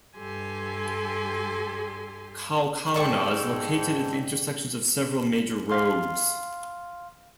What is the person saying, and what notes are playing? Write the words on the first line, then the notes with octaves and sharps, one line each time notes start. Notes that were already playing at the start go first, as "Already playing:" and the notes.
Kaukauna is located at the intersections of several major roads.
G2 G4 A4 G#5 C6
G#2 A4 D5 G5 C#6
F5 C6